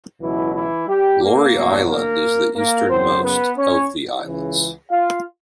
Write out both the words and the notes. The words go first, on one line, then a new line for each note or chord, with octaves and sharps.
Laurie Island is the easternmost of the islands.
C#2 B2 E3 F#3 E4
E3 E4
G3 G4
A#3 A#4
E2 B2 F#3
A#3 A#4
A#3 A#4
F#2 C#3 F#3 C4 C5
B3 B4
C#4 C#5
C#2 C#3 E3
F4 F5